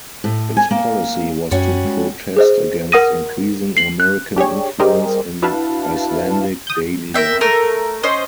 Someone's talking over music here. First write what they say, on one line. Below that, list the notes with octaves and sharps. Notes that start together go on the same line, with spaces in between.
Its policy was to protest against increasing American influence in Icelandic daily life.
A2
G#5
A#3
F#2 G3 C#4 F#4
G#3
G#4 C5 D#5
A#4 F#5 D#6 A#6 D#7
C7 F#7
F#6
D4 G4 G#4 C#5
G3 G4 G#4 A#4 C5 D#5
D4 E4 F#4 B4 F5 A5
D#6 G6
A#4 C#5 E5 G5
A3 A#4 A#5 E6
C#4 C5 D#5